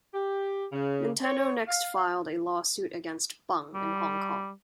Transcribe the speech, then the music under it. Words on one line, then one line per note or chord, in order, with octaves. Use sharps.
Nintendo next filed a lawsuit against Bung in Hong Kong.
G4
C#3
C#5
F5
G3